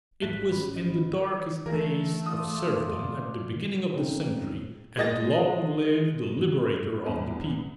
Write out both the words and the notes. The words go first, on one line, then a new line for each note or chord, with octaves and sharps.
It was in the darkest days of serfdom at the beginning of the century, and long live the Liberator of the People!
A1 G#2 A3 F#6 B6
C#4 B5
D#5
E3 A3 A#4
F4 D5 D#6
C#3 F3 G#3 A#3 C4 D#4
G#3 D#5 A6
E2 G2